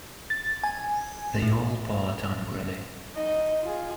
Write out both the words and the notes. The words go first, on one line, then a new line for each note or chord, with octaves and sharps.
They all part angrily.
A6
G#5
A2
D#4 D#5
F4 G#4